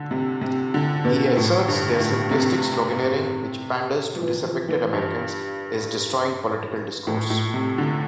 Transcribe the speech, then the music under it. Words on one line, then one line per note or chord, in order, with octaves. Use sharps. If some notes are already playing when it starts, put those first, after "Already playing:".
He asserts their simplistic sloganeering which panders to disaffected Americans is destroying political discourse.
Already playing: D3
C3
C3
D3
B2
A2
G2
A2
C3
F3
E3
F3
E3
G2
A2
A2
C3
D3